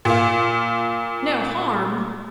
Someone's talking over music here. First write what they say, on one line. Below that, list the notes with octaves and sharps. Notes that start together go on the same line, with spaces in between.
"No harm!"
A#2 F4